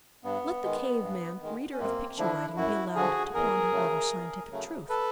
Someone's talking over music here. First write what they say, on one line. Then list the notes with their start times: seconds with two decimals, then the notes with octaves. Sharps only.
Let the cave-man, reader of picture-writing, be allowed to ponder over scientific truth.
0.24 G2 B3
0.63 D#3 G#3
1.02 G2
1.41 D#3 G#3
1.72 C#4
1.79 F#2 A#3 C4
2.18 D3 F3 D4 E4
2.56 F#2 E4 F#4
2.95 D3 F3 F#4 G#4
3.34 E2 G#4 A#4
3.73 C#3 F#3 A3
4.12 E2
4.51 C#3 F#3 A3
4.89 A4 B4